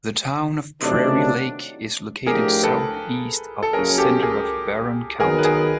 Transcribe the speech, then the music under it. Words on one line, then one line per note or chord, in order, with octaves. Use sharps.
The town of Prairie Lake is located southeast of the center of Barron County.
C3 D#3 F#3 A3 D4
A2 F3 A3 D4 G4 G#4 A#4
A4 B4
A4
F#2 C#3 F#3 A#3 C#4 G#4 A#4
G4 A4
G#4 A#4
D#3 F#3 B3 G#4 A#4
B4
G#4 A#4